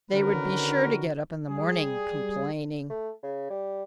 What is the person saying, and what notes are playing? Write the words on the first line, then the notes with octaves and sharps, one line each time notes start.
They would be sure to get up in the morning complaining.
D3 D#3 C#4 F#4 A#4 B4
G3 G#4
A3
C#3
G3